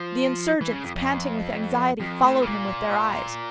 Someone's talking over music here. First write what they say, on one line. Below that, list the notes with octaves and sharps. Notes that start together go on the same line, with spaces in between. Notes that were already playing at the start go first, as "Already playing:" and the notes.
The insurgents, panting with anxiety, followed him with their eyes.
Already playing: F3
E3
C#3
F2
F2
F2
A2
C#3
A#2